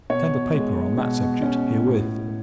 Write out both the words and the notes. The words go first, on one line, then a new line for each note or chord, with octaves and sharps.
I send a paper on that subject, herewith.
B2 C#5
G#3
B2
C#4
A2